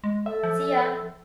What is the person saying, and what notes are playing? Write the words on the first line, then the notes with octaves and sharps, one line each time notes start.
See ya!
G#3
A4 E5
F3